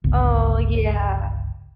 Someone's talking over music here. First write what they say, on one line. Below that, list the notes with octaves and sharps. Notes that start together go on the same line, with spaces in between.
Oh, yeah.
G1 C#2